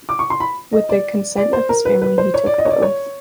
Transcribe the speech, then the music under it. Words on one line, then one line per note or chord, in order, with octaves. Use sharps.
With the consent of his family, he took the oath.
D6
C#6
C6
B5
D#5
D5
D5
C5
A#4
B4
B4
C5
C#5
D5
D#5
C#5
D5
C#5